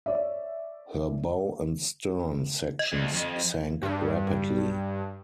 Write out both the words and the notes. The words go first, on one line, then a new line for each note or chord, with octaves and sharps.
Her bow and stern sections sank rapidly.
C#5 D5 E5
D#5
D2
F2
G2